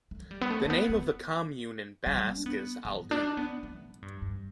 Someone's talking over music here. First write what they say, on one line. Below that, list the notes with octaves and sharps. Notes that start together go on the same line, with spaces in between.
The name of the commune in Basque is "Aldude".
A3
G3
B3
A3
A3
B3
B3
G3
D4
B3
B3
D4
B3
A3
A2
G2
G2